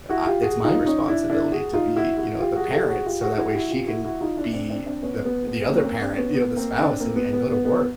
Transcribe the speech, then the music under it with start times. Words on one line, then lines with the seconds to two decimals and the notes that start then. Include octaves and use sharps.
I It's my responsibility to be, you know, the parent so that way she can be the the other parent, you know, the spouse and and go to work.
0.09 E4 F#4
0.26 F4 G4
0.42 F#4 G#4
0.64 D#4 F4
0.86 C#4 D#4
1.08 D4 E4
1.30 D4 E4
1.52 F#4 G#4
1.73 D#4 F4
1.96 E4 F#4
2.18 E4 F#4
2.40 F4 G4
2.56 F#4 G#4
2.72 G4 A4
2.89 F#4 G#4
3.06 F4 G4
3.21 F#4 G#4
3.38 E4 F#4
3.49 G4
3.54 E4 F#4
3.71 F4 G4
3.87 E4 F#4
4.04 E4 F#4
4.20 D#4 F4
4.37 D4 E4
4.53 C4 D4
4.70 C4 D4
4.86 C4 D4
5.02 B3 C#4
5.25 B3
5.47 B3
5.68 A#3 C4
5.77 C#4
5.84 A#3 C4
6.01 C4 D4
6.17 B3 C#4
6.34 B3
6.56 A#3 C4
6.78 C4 D4
7.00 A#3 C4
7.16 B3
7.33 B3
7.49 B3
7.65 B3